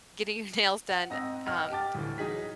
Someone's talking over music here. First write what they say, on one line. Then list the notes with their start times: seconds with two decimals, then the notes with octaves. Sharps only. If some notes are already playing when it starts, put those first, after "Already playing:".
getting your nails done, um
0.89 F#5
1.10 G#2 C4 D#5 E6 A#6
1.47 D#5 F#5 G5 F6
1.70 G4 G5 A5 D6 A6
1.95 D2 A2 E3
2.18 F#3 D#4 G#4 B6